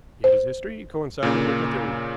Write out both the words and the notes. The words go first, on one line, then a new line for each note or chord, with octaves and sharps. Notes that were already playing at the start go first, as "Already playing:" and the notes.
Yet his history coincided with my theory.
C5
A#2 C#3 A#3